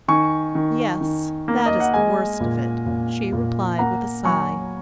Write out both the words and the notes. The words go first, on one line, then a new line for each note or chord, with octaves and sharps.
"Yes, that is the worst of it," she replied, with a sigh.
D#3 G#5 C#6
D#3
D#3
A#3
D#5
F#5
G#3 D#5 G#5
A#2
A#2
A#2
A#3 F#5 A#5
F#3 G#5 C#6